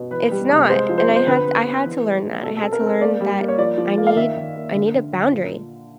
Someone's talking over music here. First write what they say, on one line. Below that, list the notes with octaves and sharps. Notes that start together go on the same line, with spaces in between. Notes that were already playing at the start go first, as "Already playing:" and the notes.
It's not, and I had I had to learn that. I had to learn that I need I need a boundary.
Already playing: B2
E3 B4
G3
C3
G#3 C5
F3
C5
C4
C5
D3 B4
B3
B3
E3
G#3
G#3
B2 A4
A4
C4
A#4
C4 A4
A#3 D5
G3
A#3
C#5
F3 D5
F3
A#3
F5
D#3 E5
D#3
A#3
D3
D3
D3
A#2